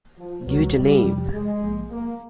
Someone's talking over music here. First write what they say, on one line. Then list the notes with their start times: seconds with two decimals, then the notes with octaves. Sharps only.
Give it a name.
0.18 F3
0.46 C#2 C#3 F3 F#3 G#3
0.75 G3
1.04 F2 C3 F3
1.33 G#3
1.61 A#1 G#2 F3 A#3
1.90 A#3